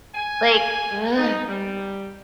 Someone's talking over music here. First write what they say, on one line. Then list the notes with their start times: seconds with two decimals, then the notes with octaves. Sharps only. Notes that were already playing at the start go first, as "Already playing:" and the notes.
Like, ugh!
0.15 G#5
1.18 D#4
1.48 G3